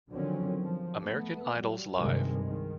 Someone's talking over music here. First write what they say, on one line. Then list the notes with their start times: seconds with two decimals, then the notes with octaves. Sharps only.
American Idols Live!
0.11 D3 D#3 F3 F#3 C4 C#4
0.63 F3
1.02 A3 B3
1.56 F#3 G3
1.96 C2 G2 C3 D#3 G#3
2.45 D#3